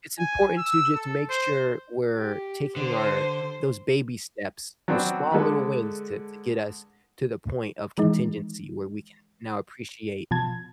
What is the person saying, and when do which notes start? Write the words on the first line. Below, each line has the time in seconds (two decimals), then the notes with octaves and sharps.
it's important to just make sure we're taking our those baby steps, those small little wins to to get us to the point of contingency where we can now appreciate,
0.19 G#5
0.58 E6
0.95 A4
1.29 C5
2.16 G4
2.76 D3 C5
4.88 F#3 B3 C4 D4
5.32 D3 G#3 A4 B4
7.98 D#3 E3 G#3 D#4
10.31 B2 F3 A5 G#6